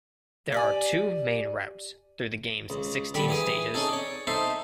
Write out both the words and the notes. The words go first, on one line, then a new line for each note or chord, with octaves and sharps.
There are two main routes through the game's sixteen stages.
G4 D5 G#5
C#2
D3 G3 D5 B5
E3 G#4 D#6
C#4 D#4 G#4 A4
C#5 D5
D#4 A4 C5 E5 C6